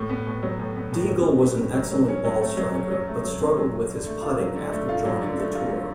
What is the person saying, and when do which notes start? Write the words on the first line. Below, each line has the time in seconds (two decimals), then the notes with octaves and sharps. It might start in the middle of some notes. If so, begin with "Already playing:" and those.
Diegel was an excellent ball-striker, but struggled with his putting after joining the tour.
Already playing: A2
0.09 B3
0.27 A2
0.43 F#3
0.59 A2
0.76 B3
0.92 A2
1.09 F#3
1.26 A2
1.42 B3
1.59 A2
1.75 F#3
1.91 F#3
2.08 C#4
2.25 F#3
2.41 A3
2.57 F#3
2.74 C#4
2.91 F#3
3.07 A3
3.24 F#3
3.40 C#4
3.57 F#3
3.74 A3
3.90 D3
4.06 A3
4.22 F4
4.39 F#3
4.56 D3
4.72 A3
4.89 F4
5.05 F#3
5.22 D3
5.38 A3
5.55 F4
5.72 F#3